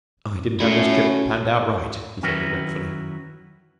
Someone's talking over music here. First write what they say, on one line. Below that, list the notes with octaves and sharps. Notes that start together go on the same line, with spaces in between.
"I didn't have this trip planned out right," he said regretfully.
A3 C#4 E4 F#4
D#3 F#3 C#4 E4 F#4 B4